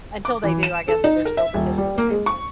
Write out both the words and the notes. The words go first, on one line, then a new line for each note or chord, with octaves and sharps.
until they do, I guess they're still the kids of the family.
D6
E3
E7
A4
D#4
A#4
E5
D#1
G3
A#3
G#3
C#6